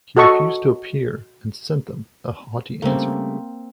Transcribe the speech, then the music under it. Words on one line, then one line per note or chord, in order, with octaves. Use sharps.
He refused to appear, and sent them a haughty answer.
F#4 A4 D#5 C#6
C#3 G3 A3 A#3 C4